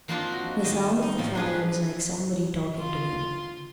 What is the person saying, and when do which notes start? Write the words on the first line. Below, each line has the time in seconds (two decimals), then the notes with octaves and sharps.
The sound of the fire was like somebody talking to them.
0.08 F3 A#3 C4 D4 D#4 F4
0.32 F#4
0.63 D#3 D#5 A5
1.03 D#4
1.18 A2 F3 G3
1.35 D4 G#4 B4
2.78 F4 C6